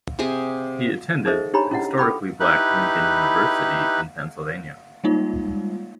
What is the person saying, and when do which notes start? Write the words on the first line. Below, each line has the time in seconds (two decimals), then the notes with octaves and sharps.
He attended historically black Lincoln University in Pennsylvania.
0.19 C3 G4 G#4 G#5
1.26 D#4 G#4 A4 C5 D#5 E5
1.54 D4 D#4 G4 C#5 A#5 B5
1.71 C#4 E4 D#5 F#5
1.98 A4 G5 B5 D6
2.40 D#4 E4 G4 B4 F#6
5.04 G3 G#3 A#3 D#4 F4